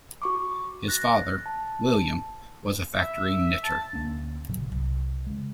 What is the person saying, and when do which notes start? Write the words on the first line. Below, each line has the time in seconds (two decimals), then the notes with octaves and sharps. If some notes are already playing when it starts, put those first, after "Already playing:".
His father, William, was a factory knitter.
0.22 F#4 C#6 D6
0.88 F#6 A6 A#6
1.46 A5
3.02 E5
3.64 A5
3.93 D2 A#3 C#4 D4
4.49 G#1 A#2 C#3 F#3
4.71 C2
5.27 C#3 G#3